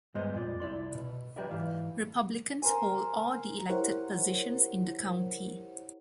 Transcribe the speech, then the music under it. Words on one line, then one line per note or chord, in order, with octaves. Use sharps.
Republicans hold all the elected positions in the county.
G2 G3 G#3 B3 C5 D#5
F2 A#2 D5
C2 E4 D5 C6
B2
F#3 G4 B4 D5 E5
G#2 E3 F5
A#4 C5 G#5
E4 G4 A#4 C5 C#5 F#5